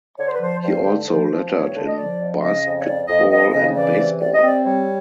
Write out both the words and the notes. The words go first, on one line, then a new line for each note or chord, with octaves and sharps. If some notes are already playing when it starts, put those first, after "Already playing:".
He also lettered in basketball and baseball.
D3 C#5
C5
B4
F3 C5
G2 C5
D3
F3 C5
F3
G2 C#5
D3
D#5
F3 D5
F2
C#3 D#5
F2
C#5
F2 D5
F2 D#5
F2 D#5
C#3 D#5
E3 D5
C3
C3 D5
D#5
C4 D5
G3 C#5